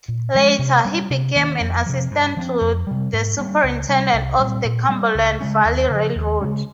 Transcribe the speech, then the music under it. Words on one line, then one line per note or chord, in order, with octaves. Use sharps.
Later, he became an assistant to the superintendent of the Cumberland Valley Railroad.
A#2
F3 G#3
C3
G3 C#4
C3
D#3 A#3 C#4
F2
C3 F3
G2
F3 C4
F2
C3 G3
G#2
G3 A#3 C#4
C#2
C3 G3
C2
A#2 G3 C4
A#2
G3 A#3 C#4
C#2
C#3 G#3 C#4
D#2
C#3 F3
D#2
C#3 G#3 C#4